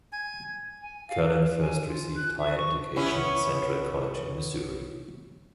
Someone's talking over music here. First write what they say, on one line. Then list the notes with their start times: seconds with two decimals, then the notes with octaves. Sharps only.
Kerlin first received higher education at Central College in Missouri.
0.12 G#5
0.81 G#5
1.08 F5
1.24 B4
1.60 G#5
1.85 F4
2.15 F#6
2.38 E5
2.56 C#6
2.96 B3 C#4 E4